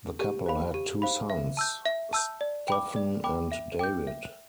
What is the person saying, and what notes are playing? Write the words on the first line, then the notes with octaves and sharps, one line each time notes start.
The couple had two sons: Stephen and David.
G4
C5 F5 B5
G4
C5 F5 B5
E5
A5 E6 G6
E5
A5 E6 G6
D5
G5 B5 D6
D5
G5 B5 D6
E5
G5 D6 G6
E5